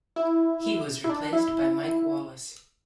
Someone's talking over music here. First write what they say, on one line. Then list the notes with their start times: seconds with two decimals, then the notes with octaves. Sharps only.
He was replaced by Mike Wallace.
0.16 E4
1.04 E4
1.09 D4
1.33 E4